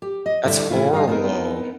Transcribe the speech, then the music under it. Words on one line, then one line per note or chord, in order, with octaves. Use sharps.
That's horrible.
G4
D#5
D3 G3 E4 C#5 E5
A2 E3 A3 C#4 E4 F4
G3 D#4 A#4 D5 F5
B3 C4 D#4 E4 A#4